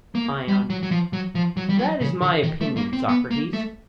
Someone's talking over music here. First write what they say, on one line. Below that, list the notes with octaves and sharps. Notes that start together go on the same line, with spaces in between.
ION: That is my opinion, Socrates.
A#3
G3
F#3
F#3
F3
F#3
F3
F#3
G3
F#3
C#3
D3
D#3
A3
A#3
C4
B3
A#3
A3